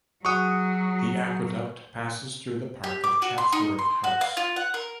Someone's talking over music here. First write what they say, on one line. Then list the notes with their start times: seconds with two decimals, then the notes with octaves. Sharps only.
The aqueduct passes through the park of Chatsworth House.
0.25 F#3 F#4 G#4 F#5 C#6 D#6
2.84 G4
3.04 D6
3.22 F#4
3.38 C6
3.52 D#4
3.79 C6
4.04 F#4
4.21 F5
4.37 F4
4.56 F#5
4.74 A#4